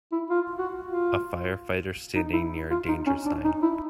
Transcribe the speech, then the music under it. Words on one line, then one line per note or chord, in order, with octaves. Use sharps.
A firefighter standing near a danger sign.
E4
F4
F#4
F4
D#4
E4
F4
D#4
C#4
D4
D#4
E4